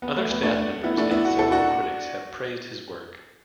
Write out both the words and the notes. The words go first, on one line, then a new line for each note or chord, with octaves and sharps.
Other staff members and several critics have praised his work.
B3
A3
B3
A3 D4
B3 E4
A3 D4
B3 E4
D4 F#4
E4 A4
D4 F#4